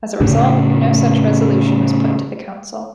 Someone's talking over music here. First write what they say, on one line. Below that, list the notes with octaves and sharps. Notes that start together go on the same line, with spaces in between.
As a result, no such resolution was put to the Council.
A2 C#3 D4